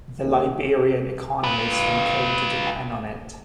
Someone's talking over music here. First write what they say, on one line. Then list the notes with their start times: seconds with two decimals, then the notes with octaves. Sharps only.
The Liberian economy soon came to depend on it.
0.24 D#2
1.44 F4 B4